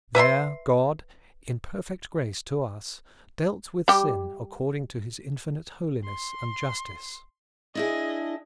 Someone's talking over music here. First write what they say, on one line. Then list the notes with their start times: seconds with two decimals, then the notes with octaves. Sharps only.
There God, in perfect grace to us, dealt with sin according to his infinite holiness and justice.
0.15 B4 E5 B5 C6
3.88 G3 G4
6.05 C6
7.75 D4 E4 G#4 D#5